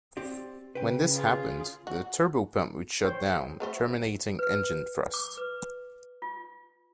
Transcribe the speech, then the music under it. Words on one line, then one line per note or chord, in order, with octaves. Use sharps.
When this happened, the turbopump would shut down, terminating engine thrust.
C4 G4 D5
C#3 B4 G5
F4 G#4
F#4
C5 C#5 G5
F#3 A3 B4 C5 E5
B4
D6
B4
F4